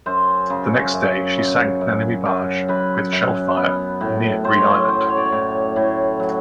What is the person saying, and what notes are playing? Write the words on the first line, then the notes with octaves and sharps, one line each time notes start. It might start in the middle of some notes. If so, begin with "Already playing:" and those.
The next day, she sank an enemy barge with shellfire near Green Island.
F#2 C5
C#3
F#2
F#2
F#2
F#2
F#2 B4
F#2
B3
A2
A2 C5
C#5
C5
F#3 C5
C#5
D5
C#5
A2
A2
F#3